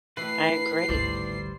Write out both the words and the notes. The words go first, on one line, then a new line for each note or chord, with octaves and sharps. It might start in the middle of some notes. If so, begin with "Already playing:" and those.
I agree.
A2 E3 B4 C7
G#1 D2 G3 C5 D5